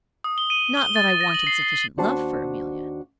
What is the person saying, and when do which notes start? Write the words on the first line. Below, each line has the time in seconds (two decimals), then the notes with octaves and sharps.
Not that I wanted sufficient love for Amelia.
0.24 D#6
0.38 G7
0.50 D#7
0.77 G7
0.96 A6
1.21 A#6
1.34 F#7
1.47 C7
1.62 C7
1.98 D#2 D4 F#4 C5 A5